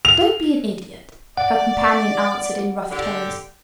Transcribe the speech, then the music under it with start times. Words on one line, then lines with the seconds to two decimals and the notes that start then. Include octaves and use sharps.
"Don't be an idiot," her companion answered in rough tones.
0.05 F7
1.37 D5 F#5
2.91 D3 G4